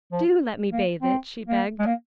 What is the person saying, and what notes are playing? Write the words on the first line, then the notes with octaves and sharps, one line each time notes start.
"Do let me bathe it," she begged.
F3
A#3
C4
A#3
G#3
A#3